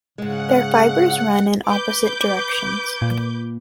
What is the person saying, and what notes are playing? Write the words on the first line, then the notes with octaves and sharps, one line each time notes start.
Their fibers run in opposite directions.
G#2 C#3 G#3 F#5
B4 D6 G6
A#2